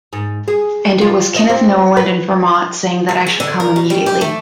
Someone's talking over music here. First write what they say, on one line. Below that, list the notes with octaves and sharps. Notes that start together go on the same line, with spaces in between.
And it was Kenneth Noland in Vermont saying that I should come immediately.
G#2
G#4
F4
D#5
C4
B4
D2
G#4
D3
A#4
B2
G3
G4
A3